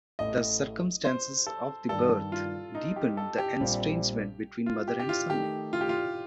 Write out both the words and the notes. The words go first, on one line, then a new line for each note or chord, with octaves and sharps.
The circumstances of the birth deepened the estrangement between mother and son.
A1 A2 A3 D#5
C5
A4
G2 D#3 G3 A4
F4
D#4
G4
A4
G4
A#1 A#2 G3 C4
F4
G4
G4
F4
D#3 A3 D#4 G4
F4
G4
F4